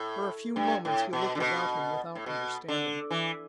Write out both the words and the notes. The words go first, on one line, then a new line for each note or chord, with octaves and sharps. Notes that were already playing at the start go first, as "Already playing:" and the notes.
For a few moments he looked about him without understanding.
Already playing: A2
G2
A2
B2
D3
B2
A2
B2
D3
E3